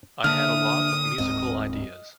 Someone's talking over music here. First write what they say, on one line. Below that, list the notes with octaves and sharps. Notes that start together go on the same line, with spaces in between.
I had a lot of musical ideas.
D3 A#3 D4 E5 D#6 F6
D1 G#2 C4 D#5